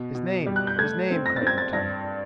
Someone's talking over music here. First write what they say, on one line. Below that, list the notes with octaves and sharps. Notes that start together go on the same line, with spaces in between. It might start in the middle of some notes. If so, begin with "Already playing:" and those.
"His name; his name!" cried d'Artagnan.
Already playing: B2
B2
G3
F#6
G6
A3 G#6
C4
A#6
A6
C4
G#6
A6
G2 A#6